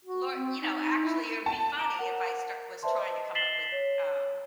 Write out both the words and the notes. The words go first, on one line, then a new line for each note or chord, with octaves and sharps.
lor you know, actually, it would be funny if I start was trying to come up with, um
F#4
C4
D#4
D#4
E4
A5
A#5 D6 D7 E7
A#4 F#5 F7
B4 C5 D5 E5 A5 C6
D#5
A6 B6 C7 E7 F#7 G7
C#5